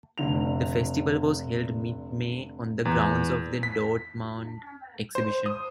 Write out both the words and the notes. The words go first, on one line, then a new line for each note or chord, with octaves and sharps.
The Festival was held mid-May on the grounds of the Dortmund exhibition.
F1 D3 F7
E2
B6
C5
D#6